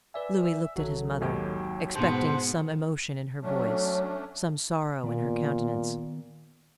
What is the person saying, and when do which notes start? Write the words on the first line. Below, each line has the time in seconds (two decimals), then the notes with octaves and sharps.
Louis looked at his mother, expecting some emotion in her voice, some sorrow in her countenance.
0.14 B4 D5 E5 G#5
0.76 B1 D#3 F#3 A4
1.21 G#1 D#2 G4
1.95 G#2 B2 B3 C5 A5
3.42 F#3 A3 C#4 D4
5.04 A#2 D#3 B3 D5